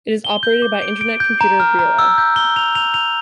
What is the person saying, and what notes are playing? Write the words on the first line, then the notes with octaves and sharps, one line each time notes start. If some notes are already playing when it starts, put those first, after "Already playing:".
It is operated by Internet Computer Bureau.
G7
G6
D6
D7
D7
G6
A#5
F6
A#5
E6
G6
G7
F7
F7
F7